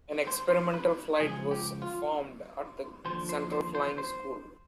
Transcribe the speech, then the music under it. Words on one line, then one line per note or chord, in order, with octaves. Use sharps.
An "Experimental Flight" was formed at the Central Flying School.
C5
C5
B4
C#2 C#3 F3 G#4
G4
F4
D#2 D3 F3 C5
C5
C5
C5
C5